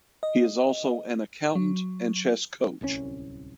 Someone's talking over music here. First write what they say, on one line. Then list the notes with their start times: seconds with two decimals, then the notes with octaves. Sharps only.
He is also an accountant and chess coach.
0.23 D#5
1.55 F#3
2.81 D1 C2 B2 C#4